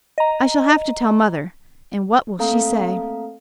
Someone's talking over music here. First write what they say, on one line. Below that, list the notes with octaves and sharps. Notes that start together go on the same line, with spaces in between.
I shall have to tell mother, and what will she say?
D#5 A#5
A3 A#3 C4 A4 F5 A#5